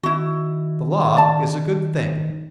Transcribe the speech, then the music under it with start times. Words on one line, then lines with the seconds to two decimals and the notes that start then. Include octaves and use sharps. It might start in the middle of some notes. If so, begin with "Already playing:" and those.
The Law is a good thing.
0.03 D#3 E4 F#4
1.17 D5 A5